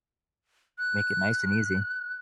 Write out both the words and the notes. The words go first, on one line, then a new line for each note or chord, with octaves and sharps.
make it nice and easy."
F#6